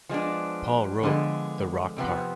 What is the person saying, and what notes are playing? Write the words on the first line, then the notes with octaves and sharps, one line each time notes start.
Paul wrote the rock part.
F3 G#3 B3 D4
D3 F3 G#3 B3
F2 C3 F3 B3